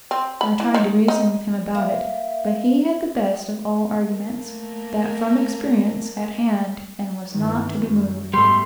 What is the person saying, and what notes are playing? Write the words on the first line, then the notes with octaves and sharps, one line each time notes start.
I tried to reason with him about it, but he had the best of all arguments, that from experience, at hand, and was not to be moved.
C4
B5
E3
D#3
D#4
A#3 E5
A3 A#3
G2 D#3 E3
F#2
G#2 B2 G3 A3 C6